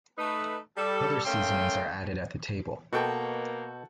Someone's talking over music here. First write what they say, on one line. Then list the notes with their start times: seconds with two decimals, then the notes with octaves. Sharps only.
Other seasonings are added at the table.
0.18 A3 D#4 B4
0.77 G3 A4
1.25 C#3 A3 A#3 C#4 G5 C6
2.93 B2 A#3 F#4 A4 G5